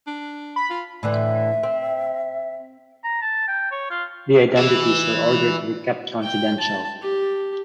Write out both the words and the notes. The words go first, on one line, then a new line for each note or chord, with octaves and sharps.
The identities were ordered to be kept confidential.
D4
B5
F4
A2 D3 E3 E5
C4
A#5
A5
G5
C#5
F4
E3 E4
G5
A5
G4